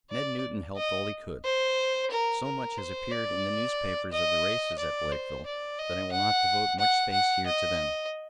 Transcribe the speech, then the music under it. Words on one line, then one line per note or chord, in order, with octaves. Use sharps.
Ned Newton helped all he could. So much has appeared in the newspapers of the races at Blakeville that I will not devote much space here to them.
D5
D#5
C5
A#4
A#4
C5
D5
D#5
D5
C5
D5
D#5
F#5
F#5
F#5
D#5